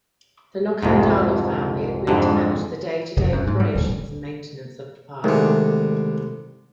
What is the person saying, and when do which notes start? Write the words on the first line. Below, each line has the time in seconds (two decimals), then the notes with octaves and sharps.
The Lokhandwala family agreed to manage the day-to-day operations and maintenance of the park.
0.83 C2 F2 G#2
2.07 F2 G#2 D3
3.16 F1
3.32 F#2
3.47 G#2
3.60 G3
3.75 D1
5.24 C2 D3 D#3 G#3 A3